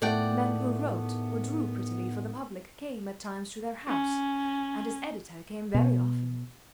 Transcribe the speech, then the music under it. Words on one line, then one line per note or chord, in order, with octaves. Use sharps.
Men who wrote or drew prettily for the public came at times to their house, and his editor came very often.
E2 A2 D#3 A3 B3 D5 F#5 G5
C#4
B2